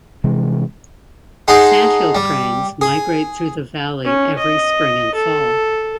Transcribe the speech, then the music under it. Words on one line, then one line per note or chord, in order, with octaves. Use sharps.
Sandhill cranes migrate through the valley every spring and fall.
C3 E3 G#3
D#4 G#4 F#5 A5 C6
G3
G#4
C#4
D#5
A4